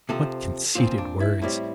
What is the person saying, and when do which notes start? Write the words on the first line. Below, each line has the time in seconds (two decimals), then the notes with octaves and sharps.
What conceited words!
0.09 C3 F3 C4 A4
0.75 A#2 F3 C4 F4
0.98 D4
1.20 E4
1.41 A2 G3 C4 E4